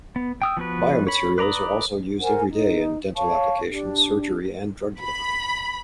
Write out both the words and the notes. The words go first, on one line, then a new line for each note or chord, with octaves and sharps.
Biomaterials are also used every day in dental applications, surgery, and drug delivery.
B3
G5 D#6 E6
F3 B3 F#4 B4
C#5 B5
B4 D5 A#5 B5 D#6
A#4 C5 F#5 G#5
D#4
C#5 F5 A5 C#6
D4 G4
B5